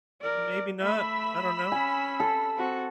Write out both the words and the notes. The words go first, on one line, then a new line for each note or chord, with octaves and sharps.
Maybe not. I don't know."
A#4 D5
A3 E5 B5 E6 B6
C#4 G#5
A4
C4 F#4